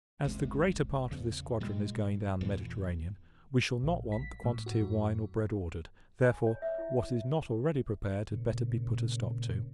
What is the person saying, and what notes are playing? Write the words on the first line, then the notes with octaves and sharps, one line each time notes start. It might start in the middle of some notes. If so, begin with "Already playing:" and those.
As the greater part of this squadron is going down the Mediterranean, we shall not want the quantity of wine or bread ordered; therefore, what is not already prepared had better be put a stop to.
F#1 C#2 C3 G#3
E2 C#3
A#2 G3 G#3
E2 A#2 E3
A#1
B6
A2
F#4
F#2
G#5
C#5
E5
E4
A#2 C#3